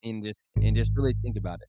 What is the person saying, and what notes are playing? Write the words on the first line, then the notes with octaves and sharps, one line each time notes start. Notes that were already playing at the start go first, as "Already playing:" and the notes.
and just and just really think about it.
G#1